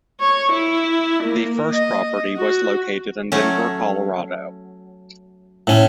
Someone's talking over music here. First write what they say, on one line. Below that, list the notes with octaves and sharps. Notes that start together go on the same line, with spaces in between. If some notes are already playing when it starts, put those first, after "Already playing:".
The first property was located in Denver, Colorado.
C#5
E4
A#3
D#5
F#4
F#3 A3 C#4
A2 C#4